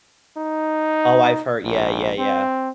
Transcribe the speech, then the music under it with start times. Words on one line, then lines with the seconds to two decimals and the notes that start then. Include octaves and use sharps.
Oh, I've hear yeah, yeah, yeah.
0.37 D#4
1.64 A#1
2.18 C4